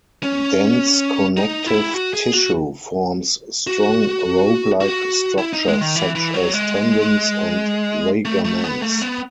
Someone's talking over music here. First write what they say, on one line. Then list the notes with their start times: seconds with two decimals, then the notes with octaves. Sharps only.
Dense connective tissue forms strong, rope-like structures such as tendons and ligaments.
0.23 C#4
1.37 D#4
1.66 E4
1.94 F#4
2.13 G#4
2.33 F#4
3.67 F#4
4.81 F#4
5.38 E4
5.53 D#4
5.68 G#3
5.81 D#3
5.96 E3
6.15 E3
6.34 F#3
6.54 G#3
8.25 A3
8.44 A3
8.64 B3
8.82 A3
9.02 B3